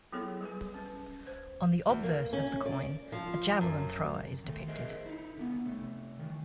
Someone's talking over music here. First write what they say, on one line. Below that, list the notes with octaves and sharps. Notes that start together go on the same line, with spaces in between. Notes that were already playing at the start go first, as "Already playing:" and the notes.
On the obverse of the coin, a javelin thrower is depicted.
F#3 B3 E4 G#4 A4 C#5
G3 G#4 B4 G#5
C#4 B4
C5
E2
A#3
C#4
D5
F3
F#2
D#3 A3
G#4 A#4 C5 D#5 E5
D#4 E4
D3 B3
C3 A3
D#3 E3